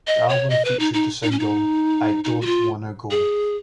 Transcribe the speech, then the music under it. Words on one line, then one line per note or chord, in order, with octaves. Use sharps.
The album featured the single "I Don't Wanna Go".
D#5
C#5
D#5
B4
D#4
D#4
D#4
C#4
D#4
D#4
F#4
F4
G#4